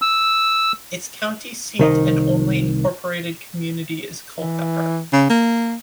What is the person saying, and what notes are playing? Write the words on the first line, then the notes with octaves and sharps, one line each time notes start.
Its county seat and only incorporated community is Culpeper.
E6
C2 D#3 D#5
E3
C#3
A#3